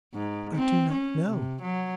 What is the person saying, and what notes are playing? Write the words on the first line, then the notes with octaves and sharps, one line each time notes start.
"I do not know."
G#2
C4
C#4
C3
F#3